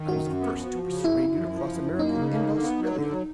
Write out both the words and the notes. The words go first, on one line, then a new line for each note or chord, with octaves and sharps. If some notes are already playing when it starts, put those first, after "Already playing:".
I was the first to persuade you to cross America and Australia.
Already playing: D#3
F#2 F#4
F#2
B3
F3
F3
C#3
F#2 E4
F#2
F3
F3
F#2
F#2
A#3 D#4
C#3
A#3
D3
B3
F#3
D3
F#3